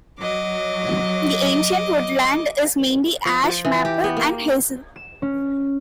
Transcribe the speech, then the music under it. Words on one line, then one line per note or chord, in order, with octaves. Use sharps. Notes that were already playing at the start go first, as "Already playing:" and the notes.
This ancient woodland is mainly ash, maple and hazel.
F#3 D#5 D6
F3
F3
E3
G4
B3
A#3
E7
C#4